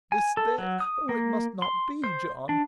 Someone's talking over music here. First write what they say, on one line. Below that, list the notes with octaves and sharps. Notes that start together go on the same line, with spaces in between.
This day--oh, it must not be, John!
G#5
A4
F#3
D#6
A#3
C6
C5
D4